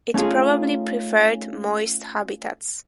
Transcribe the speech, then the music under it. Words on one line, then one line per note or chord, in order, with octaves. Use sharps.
It probably preferred moist habitats.
A3 C#4 D#4 F4 G#4